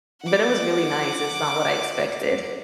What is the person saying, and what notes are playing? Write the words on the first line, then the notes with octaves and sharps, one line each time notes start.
but it was really nice, it's not what I expected.
F#5 D6